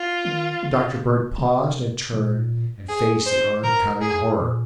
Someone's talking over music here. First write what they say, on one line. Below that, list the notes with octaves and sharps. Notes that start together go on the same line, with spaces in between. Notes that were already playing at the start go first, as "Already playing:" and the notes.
Dr. Bird paused and turned and faced the oncoming horror.
Already playing: F4
D#3
C#3
C3
A#2
G#4
C5
G#2 A#4
G#4
A#2